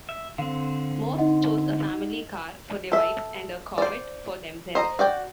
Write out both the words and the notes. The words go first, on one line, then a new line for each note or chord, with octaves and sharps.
Most chose a family car for their wives and a Corvette for themselves.
E5
D3 C4 F5
D#4 D#5 F#5
A4 E5
C5 D5
C5 D#5 A#5
F#4 D5 G5